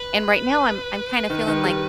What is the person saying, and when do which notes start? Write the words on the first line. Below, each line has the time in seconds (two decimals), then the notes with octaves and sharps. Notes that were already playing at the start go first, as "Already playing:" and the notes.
And right now, I'm I'm kinda feeling like
Already playing: B4
1.30 D#3
1.47 D#3
1.64 G3